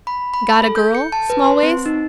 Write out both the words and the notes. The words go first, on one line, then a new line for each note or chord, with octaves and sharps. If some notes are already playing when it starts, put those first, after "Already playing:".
"Got a girl, Smallways?"
B5
B5
A4
G6
C#7
A5
B4
C6
C4
D#4